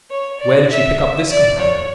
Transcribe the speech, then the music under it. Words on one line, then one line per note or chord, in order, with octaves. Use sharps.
Where did she pick up this companion?
C#5
D5
E5
E5
D5
C#5